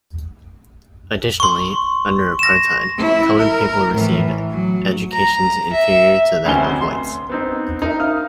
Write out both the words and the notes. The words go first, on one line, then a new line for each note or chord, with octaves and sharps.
Additionally, under apartheid, Coloured people received educations inferior to that of Whites.
C6 C#6
A#6 E7
E4
A#4
A2 E3
F#3
A#5
E5
F1 D2 D3 C#4 G#5 G7
C6
B3 C4 D#4
D#4 A#4 E5
F5 D#6 F6